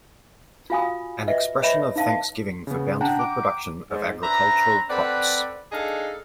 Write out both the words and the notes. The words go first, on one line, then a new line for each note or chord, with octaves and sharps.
An expression of thanksgiving for bountiful production of agricultural crops.
F4 F#4 F5 G#5 B5 D#6
B4 D#5 E5
B4 C#5 D#5 E5 B5
D#4 F5 A5
C#3 B3
D4 F#5 G5 A#5
D6
G#2
D4 B4 C5 E5 A#5
C4 A4 B4 D5 F#5 B5
D4 D#4 G#4 A4 D#5 F5